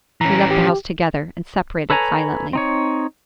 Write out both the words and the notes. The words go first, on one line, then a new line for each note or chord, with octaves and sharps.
We left the house together, and separated silently.
E3 C#4 A#5
G4
A4 B4 C#5 G#5 A#5
C4 D#4 C#5